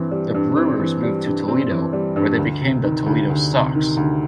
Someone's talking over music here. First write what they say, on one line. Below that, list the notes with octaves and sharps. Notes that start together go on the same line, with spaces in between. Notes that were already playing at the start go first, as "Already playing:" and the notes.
The Brewers moved to Toledo, where they became the Toledo Sox.
Already playing: G2 E3 C4
G3
G2
C4
E3
G3
G2
C4
E3
G3
G2
D2
C3
D#3
D2
D2
C3
D#3
D2